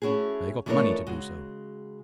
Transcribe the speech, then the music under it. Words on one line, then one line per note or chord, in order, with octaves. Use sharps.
"They got money to do so."
A3 C#4 E4 F#4 G#4
E3 F3 A3 D4 A#4 C#5
C#3 G#3 F#4